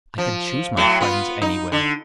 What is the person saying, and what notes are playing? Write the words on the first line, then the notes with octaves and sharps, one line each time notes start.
I can choose my friends anywhere.
F3
A2 F#3
B3 F4
D#4
D3